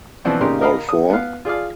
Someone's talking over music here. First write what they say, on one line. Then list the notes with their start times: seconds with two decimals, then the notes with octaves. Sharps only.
All four?
0.25 B2 E3 F3 B3 C4 D4
0.41 A#2 C#3 D#4 G4 A#4 C6
0.61 A#4 D#5 F5 A#5 B5
0.89 D#6
1.10 B3 F5
1.45 F4 G#4 D5 F5